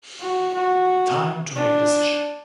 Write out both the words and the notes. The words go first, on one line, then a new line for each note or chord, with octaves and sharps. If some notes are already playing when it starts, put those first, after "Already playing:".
Time to make a decision.
F#4
F#4
D4